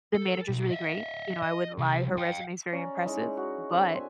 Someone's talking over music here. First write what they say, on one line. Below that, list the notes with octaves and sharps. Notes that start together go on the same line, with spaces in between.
the manager's really great. You know, I wouldn't lie. Her resume is very impressive, but
A4
B1
D#5 E5
D#5
C2
F5 G5
C#4 D5 A#5
G#3 D#4 E4
F#4
D3 C4
E5 G#5 C6